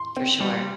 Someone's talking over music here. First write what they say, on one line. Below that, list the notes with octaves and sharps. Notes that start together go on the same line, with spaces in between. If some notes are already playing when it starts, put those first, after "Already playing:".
For sure.
Already playing: C6
C4
G3